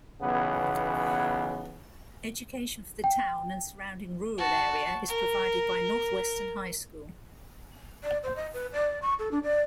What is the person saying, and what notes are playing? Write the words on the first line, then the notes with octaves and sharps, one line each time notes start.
Education for the town and surrounding rural area is provided by Northwestern High School.
B1 C#3 E3 B3
G5
F#4 A5
A#4
D5
C5
D#5
B4
D5
C#6
A4
D4
D5